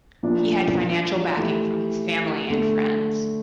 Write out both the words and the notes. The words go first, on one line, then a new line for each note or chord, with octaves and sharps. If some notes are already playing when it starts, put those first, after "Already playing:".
He had financial backing from his family and friends.
A#2 F3 A#3 D4 F4
E3 A3 E4 G4
D3 A3